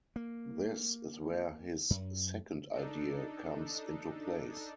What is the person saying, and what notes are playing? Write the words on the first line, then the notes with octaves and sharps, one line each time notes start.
This is where his second idea comes into place.
A#3
F#2
D4 D#4 A4